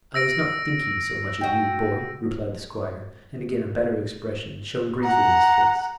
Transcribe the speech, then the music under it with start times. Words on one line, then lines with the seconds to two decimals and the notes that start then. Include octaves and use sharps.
"I was not thinking so much of you, boy," replied the Squire; and again a better expression shone briefly in his face.
0.14 E6 A#6 D7
1.41 F#4 G5
5.03 F#5 A#5